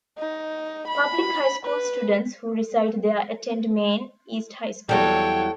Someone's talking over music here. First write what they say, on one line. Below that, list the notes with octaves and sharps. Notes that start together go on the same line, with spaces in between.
Public high school students who reside there attend Maine East High School.
D#4
B5
B4
E2 F#3 G3 A4 C#5 G5